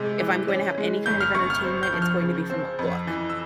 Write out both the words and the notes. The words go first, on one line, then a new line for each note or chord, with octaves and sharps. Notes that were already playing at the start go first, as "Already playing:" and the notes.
If I'm going to have any kind of entertainment, it's going to be from a book,
Already playing: C3 G#3
E3
C#4
G#3
G1 G6
F6
G1 C#6
F6
C4
G6
F3
F6
C#3
C4
F2
E3
E6